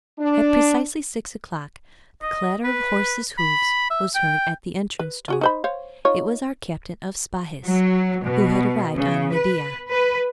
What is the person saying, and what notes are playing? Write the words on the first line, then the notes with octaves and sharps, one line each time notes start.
At precisely six o'clock the clatter of horses' hoofs was heard at the entrance door; it was our captain of Spahis, who had arrived on Medeah.
D4
D#5
B4
B5
E5
G5
B4
F4 F#4 G#4
D#4 C5 B5
C5 C#5 F5
D#4 F4 C#5
F#3
B2
C#3
B4
B4